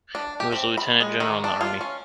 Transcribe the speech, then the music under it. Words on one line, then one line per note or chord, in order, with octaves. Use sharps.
He was a lieutenant-general in the Army.
D4
G4
C4
B5
G#3
D#3
D4
F4
C#4